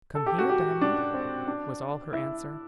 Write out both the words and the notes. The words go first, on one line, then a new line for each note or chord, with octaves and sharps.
"Come here, Diamond," was all her answer.
A4
G4
F#4
G4
D4
C4
D4
E4